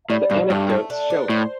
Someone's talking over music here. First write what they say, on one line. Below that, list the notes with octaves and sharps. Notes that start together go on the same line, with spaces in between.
The anecdotes show it.
A2 G3
G2 B2
G2 A3
A3
D4
D4
A2 C5